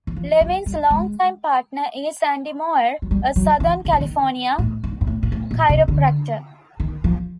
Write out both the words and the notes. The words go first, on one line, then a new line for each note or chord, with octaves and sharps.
Levin's longtime partner is Andy Mauer, a Southern California chiropractor.
E3
F3
F#3
G3
G#3
F#3
G3
F#3
E3
D#3
E3
D#3
A2
G#2
G#2
A2
A#2
A2
A#2
C3
D3
D#3
F3